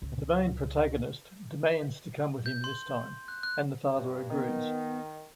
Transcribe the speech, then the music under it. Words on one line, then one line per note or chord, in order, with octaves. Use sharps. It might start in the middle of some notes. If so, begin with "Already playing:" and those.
The main protagonist demands to come with him this time, and the father agrees.
C#2
G6
C6
F#6
F#6
G2
D#3 B3